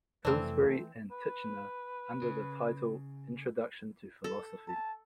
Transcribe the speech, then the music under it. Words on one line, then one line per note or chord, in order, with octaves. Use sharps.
Pillsbury and Titchener under the title Introduction to Philosophy.
F2 C3 E3 A3 C4 C5 D5 A5
B4
C#3
A4
A5